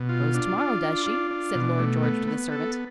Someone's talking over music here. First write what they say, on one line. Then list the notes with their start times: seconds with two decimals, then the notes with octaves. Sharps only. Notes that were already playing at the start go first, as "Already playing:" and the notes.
"Goes to-morrow, does she?" said Lord George to the servant.
Already playing: B2
0.09 F4
0.35 D4
0.58 F4
0.83 D4
1.06 F4
1.31 D4
1.55 B2
1.79 A3
2.03 B3
2.28 B3
2.52 A4